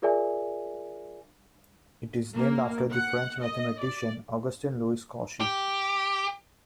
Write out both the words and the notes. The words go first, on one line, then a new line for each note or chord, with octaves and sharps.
It is named after the French mathematician Augustin Louis Cauchy.
F4 G#4 A#4 D5 E5 G#5
A#3
F#5
D#5
D5
G4